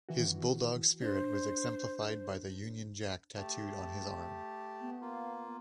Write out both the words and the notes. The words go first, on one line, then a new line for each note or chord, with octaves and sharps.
His bulldog spirit was exemplified by the Union Jack tattooed on his arm.
D#3 E3 E4 F#4
D4 C5
A3 G4 A5
B3
A#3 F4